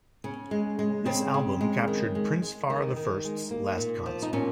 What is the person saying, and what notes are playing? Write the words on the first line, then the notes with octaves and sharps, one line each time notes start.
This album captured Prince Far the First's last concert.
C#3 C#4
G#3
G#3
C#3 C4
C#3
G#3
D#3
G#3
G#3
D#3 D#4
D#3
G#3
A#3
A#2
F3
D#4
A#2 C#4